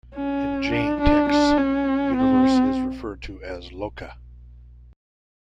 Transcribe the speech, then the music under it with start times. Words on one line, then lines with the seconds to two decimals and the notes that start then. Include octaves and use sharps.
In Jain texts, universe is referred to as Loka.
0.16 C#4
0.73 D4
1.02 D4
1.30 D4
1.58 C#4
2.17 C4